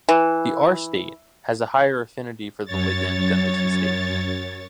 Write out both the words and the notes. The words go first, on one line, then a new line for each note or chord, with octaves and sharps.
The R state has a higher affinity for the ligand than the T state.
E3
F#2 C#5 A6